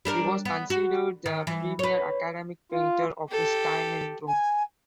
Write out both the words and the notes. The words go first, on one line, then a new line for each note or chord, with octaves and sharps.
He was considered the premier academic painter of his time in Rome.
G3 D4 A#4
B3
F#4
D#3
E3
B4 C#5
F4
G4 A4
G#5